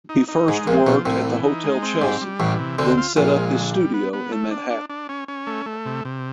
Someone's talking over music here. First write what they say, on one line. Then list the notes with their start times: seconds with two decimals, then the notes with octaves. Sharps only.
He first worked at the Hotel Chelsea then set up his studio in Manhattan.
0.09 D#4
0.28 D#4
0.48 G#2 G#3
0.67 A#1 A#2 C4
0.86 B1 B2 F3
1.06 C2 A2 C3
1.25 E3
1.44 D#4
1.64 G#3
1.83 C4
2.01 G#2 G3
2.21 G3
2.40 A1 A2 E3
2.59 C3
2.79 D2 D3 C4
2.98 F4
3.17 A#1 A#2 F4
3.36 G#3
3.55 D3
3.74 G3
3.94 B3
4.13 B3
4.32 A3
4.51 D4
4.70 D4
4.90 D4
5.09 C#4
5.28 C#4
5.47 A3
5.66 A3
5.85 C3
6.05 C3